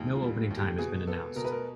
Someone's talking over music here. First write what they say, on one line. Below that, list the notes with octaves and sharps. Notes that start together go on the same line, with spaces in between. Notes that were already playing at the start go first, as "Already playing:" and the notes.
No opening time has been announced.
Already playing: D#2 A#2 G#3
F4
G3
D#2
G4
B2 G#4
B3 A4
B2 A#4
B4
A#4